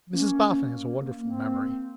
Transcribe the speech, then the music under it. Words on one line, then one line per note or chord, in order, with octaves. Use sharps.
Mrs Boffin has a wonderful memory.
A#3 C#4
A#3 C4